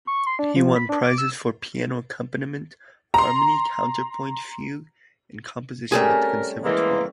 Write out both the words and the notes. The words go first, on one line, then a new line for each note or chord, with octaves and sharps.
He won prizes for piano accompaniment, harmony, counterpoint, fugue, and composition at the Conservatoire.
C#6
C6
D4
F3
B5
D4
D6
E6
A#5 C6
G3 A3 C4 C#4 G#4 A#4
E3 G#3 A#3